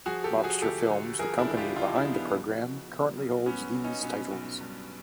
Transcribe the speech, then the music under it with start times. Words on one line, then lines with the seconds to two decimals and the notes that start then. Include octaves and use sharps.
Lobster Films, the company behind the program, currently holds these titles.
0.06 F3 F#4 G#4
0.24 G4 A4
0.35 F3
0.44 F#4 G#4
0.62 D2 G4 A4
0.91 D2
1.19 F3 G#4 A#4
1.38 D4 E4
1.47 D2
1.57 F4 G4
1.76 C#3 D#4 F4
1.95 D4 E4
2.04 F3
2.14 B3
2.33 B2
2.61 B2
2.89 B2
3.18 B1
3.46 F#3 B3 C#4
3.75 B1
3.84 C#4 D#4
4.03 B2 B3 C#4
4.31 B1
4.61 G2